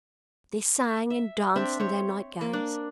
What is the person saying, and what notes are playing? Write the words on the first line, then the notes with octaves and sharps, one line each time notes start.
They sang and danced in their night-gowns.
E5
C4 D4 E5
C4 C#5
A#3
D4